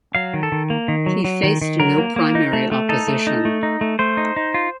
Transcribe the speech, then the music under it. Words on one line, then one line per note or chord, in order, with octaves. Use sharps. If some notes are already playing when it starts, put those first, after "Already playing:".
He faced no primary opposition.
F#3 F5
D#3
A4
D#3
A#3
D#3
F#3
F#3
D#3
D#3
F#3 A#4
A#3
A#3
D#4
A3
A3
D#4 A4
A3
D#4
A3
D#4
A3
A3 C5
D#4
D#4
F4